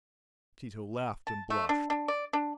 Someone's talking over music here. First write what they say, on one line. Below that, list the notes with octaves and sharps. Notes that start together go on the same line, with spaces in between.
Tito laughed and blushed.
A5
A3
D4
D4
D5
D4